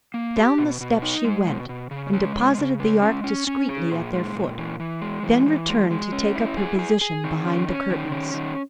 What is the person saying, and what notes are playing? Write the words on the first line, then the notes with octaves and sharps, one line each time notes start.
Down the steps she went, and deposited the ark discreetly at their foot; then returned to take up her position behind the curtains.
A#3
G4
B2
B2
D#4
G#3
B2
B2
C#3
G#3
C#3
C#3
G#3
C#4
C#4
C#4
G#4
A#2
G#3
A#2
E3
E3
G#3
E3
E3
G#3
G#3
C#4
E4
G#4
G#4
G#4
D#3
C#4
C#4
D#3
C#4
D#3